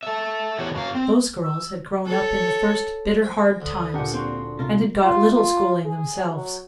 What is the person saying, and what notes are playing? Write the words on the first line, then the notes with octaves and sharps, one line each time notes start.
Those girls had grown up in the first bitter-hard times, and had got little schooling themselves.
A4 E5
E2 A2 E3 G4 C#5 F#5
F#2 F#3 A#3 F5
C4
E6
A4 C#5
C5 G5 G#5
D2 D#6
A#2 D4 G4 A#4 F#5
A#3 C4 F#4 C5
C3 F4 A#4
F4
F4
G#4
F#3